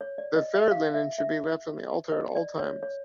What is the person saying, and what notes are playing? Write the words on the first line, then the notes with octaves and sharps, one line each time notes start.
The fair linen should be left on the altar at all times.
C#5
D5
D#5
E5
F5
E5
E5
D#5
D5
C#5
C#5